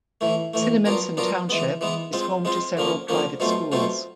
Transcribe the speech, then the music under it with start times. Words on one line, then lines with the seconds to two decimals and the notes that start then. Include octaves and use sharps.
Cinnaminson Township is home to several private schools.
0.21 A2 E3 A3
0.54 A2 E3 A3
0.85 F#3 B3 D4 F4 A#4
1.17 F#3 B3 D4 F4 A#4
1.49 E3 G#3 B3
1.81 E3 G#3 B3
2.13 G#3 C4 F4
2.45 G#3 C4 F4
2.77 D3 F3 A#3 C#4
3.08 D3 F3 A#3 C#4
3.40 B2 F#3 A3 C4 F4
3.72 B2 F#3 A3 C4 F4